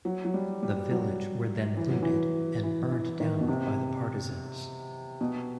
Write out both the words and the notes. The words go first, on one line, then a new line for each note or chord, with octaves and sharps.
The village were then looted and burned down by the partisans.
F#3
F#3
G3
G3
F#3
E3
F#3
E3
E3
E3
D#3
B2
C3
B2